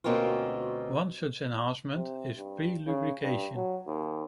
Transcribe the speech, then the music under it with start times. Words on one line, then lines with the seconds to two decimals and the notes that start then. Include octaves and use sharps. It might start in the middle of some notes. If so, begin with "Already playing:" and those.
One such enhancement is pre-lubrication.
0.04 D2 B2 A#3 C4 C#4 F4
1.95 C3
2.37 G2
2.87 C#3
3.23 G2
3.55 F#3
3.87 D#2